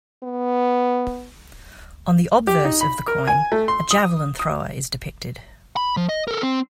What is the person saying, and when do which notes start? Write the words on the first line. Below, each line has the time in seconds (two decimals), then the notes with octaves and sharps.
On the obverse of the coin, a javelin thrower is depicted.
0.23 B3
2.47 G4
2.65 D#4
2.81 B5
3.08 A#4
3.27 G#5
3.52 A3
3.68 C6
3.91 D#6
4.39 D#6
5.76 B5
5.97 F3
6.09 D#5
6.28 A4 A#4
6.43 C4